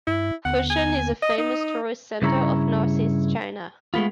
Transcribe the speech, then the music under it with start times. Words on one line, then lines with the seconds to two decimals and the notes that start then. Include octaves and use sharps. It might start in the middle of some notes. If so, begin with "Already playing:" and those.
Fushun is a famous tourist centre of northeast China.
0.07 G2 E4
0.45 D#2 D3 B3 F#5
0.70 G#5
1.23 D#5 D#6
1.38 D#4
2.22 G2 C#3 E4 C#5 A#5
3.94 G#3 A3 B3 F4